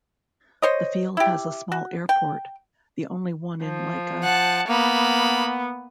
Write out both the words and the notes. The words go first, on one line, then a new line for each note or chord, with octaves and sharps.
The field has a small airport, the only one in Lika.
C5 C#5 D#5
E4 G4
F#4
G5
F3
F#5 A5
A#3 B3 B5